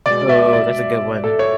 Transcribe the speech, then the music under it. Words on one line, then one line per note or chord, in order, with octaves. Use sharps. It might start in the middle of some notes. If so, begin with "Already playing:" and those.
Oh, that's a good one.
B2 G#3 D5
E5
D5
A4
C#5